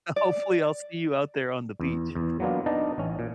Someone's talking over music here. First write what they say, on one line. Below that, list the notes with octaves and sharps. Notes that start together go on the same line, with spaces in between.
Hopefully, I'll see you out there on the beach.
D5
E2
E2
F#3 A#3 B3 D4 F4
B3 D4 D#4 D#5 A5
A1 C#4
A#2